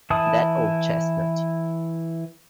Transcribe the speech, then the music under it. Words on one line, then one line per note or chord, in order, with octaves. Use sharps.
That old chestnut.
E3 E4 A5 D#6